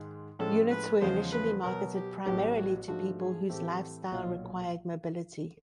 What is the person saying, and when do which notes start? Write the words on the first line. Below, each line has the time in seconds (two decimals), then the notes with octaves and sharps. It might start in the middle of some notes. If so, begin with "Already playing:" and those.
Units were initially marketed primarily to people whose lifestyle required mobility.
Already playing: G#2 D#3 G#3
0.39 A2 F3 G#3 C#4 A4
0.70 B4
1.01 E2 C#3 F3 G#3 C5
1.32 B4
1.64 B2 F#3 B3 A#4
1.95 G4
2.26 A1 A2 F#3 B3 G4
2.56 F#4
2.88 G#2 F3 A3 D4 F#4
3.19 G#4
3.49 A2 E3 A3 C4 G4
4.12 B1 A#2 F#3 F4